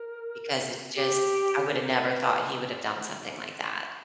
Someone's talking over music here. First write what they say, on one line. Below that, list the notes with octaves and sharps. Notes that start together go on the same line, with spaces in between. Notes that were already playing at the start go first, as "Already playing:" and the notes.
because it's just I would've never thought he would have done something like that.
Already playing: A#4
G4
A#4
B4